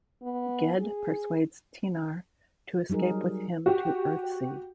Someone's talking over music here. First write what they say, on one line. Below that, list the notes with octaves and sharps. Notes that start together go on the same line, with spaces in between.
Ged persuades Tenar to escape with him to Earthsea.
B3
G#4
F#3 G3 D#4 G#4 A#4
F#4 G4